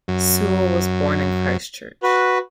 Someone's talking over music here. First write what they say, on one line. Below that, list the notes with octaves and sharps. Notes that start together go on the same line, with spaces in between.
Sewell was born in Christchurch.
F#2
F#4 B4